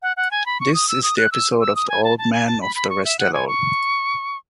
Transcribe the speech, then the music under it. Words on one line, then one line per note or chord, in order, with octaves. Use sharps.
This is the episode of the Old Man of the Restelo.
F#5
F#5
G#5
B5
C#6
D#6
E6
D#6
F#6
E6
E6
D#6
G#5
A5
A5
G#5
A5
B5
B5
C#6
E5
F#5
G#5
C#6